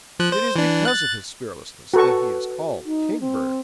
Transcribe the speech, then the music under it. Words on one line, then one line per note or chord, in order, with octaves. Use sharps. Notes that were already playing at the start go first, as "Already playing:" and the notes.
It is because of his fearlessness that he is called Kingbird.
F3 F#6
C5
E3 D4
F#6 A6
F#4 A4 B4 C#6
D#4
C4